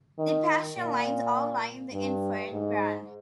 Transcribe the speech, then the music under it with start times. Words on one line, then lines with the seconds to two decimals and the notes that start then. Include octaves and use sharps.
The Paschen lines all lie in the infrared band.
0.18 D#3
0.77 A#2
1.93 G2
2.52 G#2